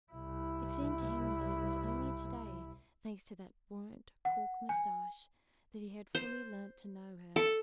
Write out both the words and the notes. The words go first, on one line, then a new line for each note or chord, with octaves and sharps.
It seemed to him that it was only today, thanks to that burnt-cork mustache, that he had fully learned to know her.
C2 E4
F#5
G#5
C5
A4